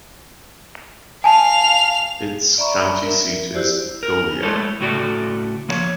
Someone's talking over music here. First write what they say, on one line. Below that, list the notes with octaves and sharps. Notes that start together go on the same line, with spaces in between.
Its county seat is Goliad.
F5 G#5 A5 F7
D5 E5 A#5 B5 C#6
A#4 E5
E4 F#4 G4 C5 D5
A#4
G#3 A3 E4 A4 C#5
A2 C#3 A3 F#4 A4 D5
F3 A#3 C#5